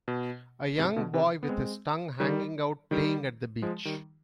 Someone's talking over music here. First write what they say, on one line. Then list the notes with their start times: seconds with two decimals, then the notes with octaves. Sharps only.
A young boy with his tongue hanging out playing at the beach.
0.08 B2
0.78 G#2 C3
0.96 B2 D3
1.14 C3 D#3
1.43 B3
1.49 G#3 C4
2.20 D#3 G3
2.91 D#3 G3
3.62 F3 G#3
3.85 D#3 G3